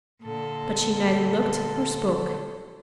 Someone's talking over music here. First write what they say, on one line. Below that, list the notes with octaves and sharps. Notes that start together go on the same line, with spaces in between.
But she neither looked nor spoke.
A#2 D3 A4